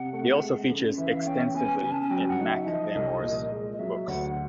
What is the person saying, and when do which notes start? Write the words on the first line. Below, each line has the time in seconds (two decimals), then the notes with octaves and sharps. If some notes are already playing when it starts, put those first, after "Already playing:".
He also features extensively in Mac Liammoir's books.
Already playing: C3 F#5
0.13 A3
0.42 G#3
0.71 C#3
0.98 E3 E5
1.08 F5
1.16 E5
1.26 C#4 G5
1.54 B3 G#5
1.82 C#3 G#5
1.92 A5
2.01 G#5
2.10 F#3 G5
2.29 F#5
2.39 D#4
2.48 E5
2.62 E5
2.67 F3 D#5
2.95 C2
3.23 A#2
3.51 G#3
3.73 D#5
3.79 F#3 E5
4.08 D2 F#5
4.30 F#5